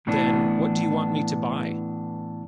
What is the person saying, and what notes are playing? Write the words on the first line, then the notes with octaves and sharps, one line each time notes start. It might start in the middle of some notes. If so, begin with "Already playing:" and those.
Then, what do you want me to buy?
A2 E3 B3 D4